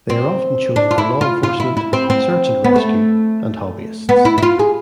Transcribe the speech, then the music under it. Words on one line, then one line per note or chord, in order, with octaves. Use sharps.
They are often chosen for law enforcement, search and rescue, and hobbyists.
C4
D4
F4
E4
F4
F4
E4
E4
C4
C4
B3
A3
B3
E4
E4
F4
G#4